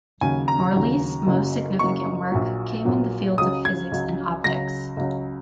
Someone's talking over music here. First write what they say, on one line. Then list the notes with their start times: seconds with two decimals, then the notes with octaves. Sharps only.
Morley's most-significant work came in the field of physics and optics.
0.21 D#2 C#3 F#3 G#5
0.48 A#5
0.73 D#2 C#3 F#3
1.27 F#1 F#2 C#3 F#3
1.79 F#1 F#2 C#3 F#3 C#6
2.32 A#1 A#2 F#3
2.85 A#1 A#2 F#3
3.38 C#2 C#3 F#3 D#6
3.65 G#6
3.92 C#2 C#3 F#3
4.44 C#2 C#3 F#3 A#6
4.97 C#2 C#3 F#3